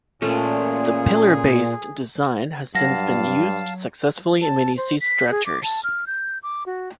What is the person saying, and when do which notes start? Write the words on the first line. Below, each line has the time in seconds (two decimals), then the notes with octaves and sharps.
The pillar-based design has since been used successfully in many sea structures.
0.22 A#2 A3 C#4 G#4 A4
2.75 G2 F#3 F5 F#5 A5 A#6
4.42 A5
4.77 C5
5.00 B6
5.31 G#4
5.46 D6
5.63 A5
5.84 F6
6.07 G6
6.43 D6
6.66 F#4